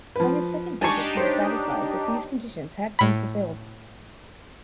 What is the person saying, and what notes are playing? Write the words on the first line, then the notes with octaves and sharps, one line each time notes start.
On his second visit he was satisfied that these conditions had been fulfilled.
F3 B4
D4 D#4 G4 G#5 A5 C#6
C5 C#5
A2 B5